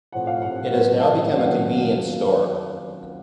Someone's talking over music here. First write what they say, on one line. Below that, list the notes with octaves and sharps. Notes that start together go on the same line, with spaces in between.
It has now become a convenience store.
A2 F3 C4 F#5
F5
A2 F3 C4 F#5
F#5
A2 F#3 C4
A2 F#3 C4 F5 A5
F2 D#3 F#3 A#3 C#4 F#5
F5
F#5